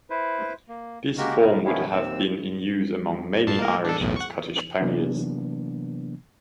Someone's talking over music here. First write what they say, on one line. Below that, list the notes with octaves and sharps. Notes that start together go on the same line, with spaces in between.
This form would have been in use among many Irish and Scottish pioneers.
E4 B4 C5
A#3
G#3 A#3 F#4 G4 A#4
A3 B3 A#4
D#3 F3 B3 C#4 E4
D#2 C4 E6
G2 A5 C7
A#3 A#4
D4 A4
B1 E2 A2
F#5 C#6
C3 E3 F#3 A#3 B3 D4